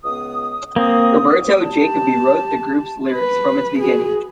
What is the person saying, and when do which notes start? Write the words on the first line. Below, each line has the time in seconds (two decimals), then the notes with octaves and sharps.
Roberto Jacoby wrote the group's lyrics from its beginning.
0.05 C#2 B3 D#6
0.76 A#3 C4 D#6
1.61 G4 A5
3.11 B4
3.79 F#4 G#4